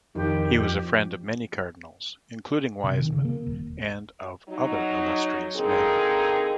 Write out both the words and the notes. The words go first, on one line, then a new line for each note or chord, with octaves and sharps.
He was a friend of many cardinals, including Wiseman, and of other illustrious men.
F2 D#3 G4
F3
C3
D#3
C#3
A#3
D#1
F#3 D#4
D3 A#3 C4 D#4 G#4